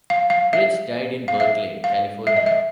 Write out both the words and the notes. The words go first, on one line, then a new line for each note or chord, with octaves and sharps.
Birge died in Berkeley, California.
F5
F5
E5
F5
E5
F5
E5
D#5
E5